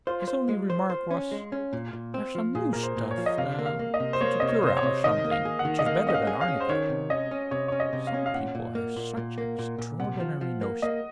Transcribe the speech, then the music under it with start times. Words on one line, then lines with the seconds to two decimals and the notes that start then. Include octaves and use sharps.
His only remark was, "There's some new stuff, cuticura or something, which is better than arnica." Some people have such extraordinary notions of humor.
0.07 F4 C5
0.28 C5
0.49 G#3
0.70 C5
0.90 C5
1.11 C#4
1.31 G#3
1.52 C#4
1.73 A#2
1.93 A#2
2.14 C4
2.35 F3
2.55 A#2 G#4
2.73 A#2 A#4
2.83 C5
2.97 A#2
3.11 C#5
3.18 F3
3.26 D#5
3.38 C3 F5
3.59 A#3
3.66 F5
3.79 A#3
3.94 D#5
4.00 C3
4.13 C5
4.21 A#3 C#5
4.40 C3 D#5
4.48 C#5
4.63 C3 C5
4.77 C#5
4.83 C3
5.04 D#3 D#5
5.24 A#3
5.31 F5
5.45 G#4
5.59 F#5
5.65 D#3
5.79 D#5
5.86 A#3 F5
6.07 C#4 D#5
6.14 F5
6.27 G#4
6.41 F5
6.48 C#4
6.60 C5
6.69 D#3 C#5
6.90 C3
7.10 C#4 D#5
7.31 C#4
7.51 C3 C#5
7.68 C#4 C#5
7.80 D#5
7.93 C3
8.07 F5
8.14 C#4
8.26 F5
8.34 A#2 F#5
8.55 A#2
8.75 A#3
8.96 A#2
9.17 A#2
9.38 A#3
9.59 A#2
9.78 A#2
10.00 C3 F#5
10.20 F3
10.41 F3
10.61 A#3
10.82 A#3 D#5